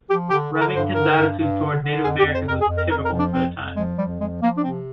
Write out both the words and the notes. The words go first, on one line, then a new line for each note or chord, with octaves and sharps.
Remington's attitude toward Native Americans was typical for the time.
F3 G4
D3 G4
D3
A#4
G2 C5
D3 A#4
G2
G2
D3
D3
F2 G#4
G4
F2
C5
F2 A#4
G#4
F2
A#4
F2 A#4
A#4
F3
D4
F2 C4
F2
F3 G#3
F2 G3
F3 G#3
F3 A#3
D4
C3 C4